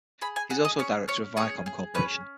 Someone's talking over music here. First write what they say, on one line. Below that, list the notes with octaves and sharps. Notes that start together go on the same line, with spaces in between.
He is also a director at Viacom Corporation.
G#4 B5
G#5
G#4 F#5
D#5
C#4 C#5
C#4 C#5
G#4 C#5
G#4
C#4 B4